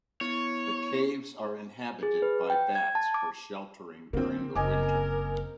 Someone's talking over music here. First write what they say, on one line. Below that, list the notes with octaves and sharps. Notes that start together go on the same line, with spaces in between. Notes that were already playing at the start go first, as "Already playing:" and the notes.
The caves are inhabited by bats for sheltering during the winter.
B3 E4 C#5 C#7
G#4
B4
G5
G#6
A5
D6
D3 A#3 C4
F#1 A#4 D#5 G#5 D6